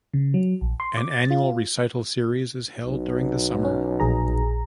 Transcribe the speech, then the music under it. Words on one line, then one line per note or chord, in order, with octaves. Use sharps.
An annual recital series is held during the summer.
C#3
F#3
A#1
C6
D6
A6
F4
B1
C#4
A#1 G#4 A#5